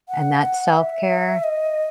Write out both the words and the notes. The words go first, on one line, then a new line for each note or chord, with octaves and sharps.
and that's self-care,
F#5
E5
D#5